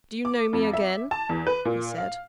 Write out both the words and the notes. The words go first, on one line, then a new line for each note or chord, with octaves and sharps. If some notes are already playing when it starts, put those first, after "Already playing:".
"Do you know me again?" he said.
D6
F2
E5
A5
E2
B4
A#2
F5